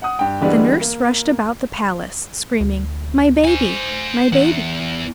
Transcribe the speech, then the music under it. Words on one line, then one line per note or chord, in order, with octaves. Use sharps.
The nurse rushed about the palace, screaming, "My baby! my baby!"
F#5 D#6
G2 G5
D3 E3 G3 G#3 B3 D4
A#3
D2
C5 G#5
E2 E3 F#5